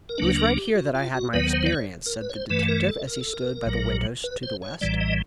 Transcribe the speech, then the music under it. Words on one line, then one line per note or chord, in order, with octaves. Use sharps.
"It was right here that I had my experience," said the detective, as he stood by the windows to the west.
A#4
D2 C#3 F#3 A#3 D4 B4
A#4
G4
F#4
F4
F#4
D#2 D#3 F#3 B3 B4
C5
D5
C#5
A#4
B4
C#5
C5
G2 E3 A3 B4
A#4
A4
A#4
A4
A#4
A#1 A#2 F#3
B4
C5
C#5
A#1 A2 E3 G3 D5
D#5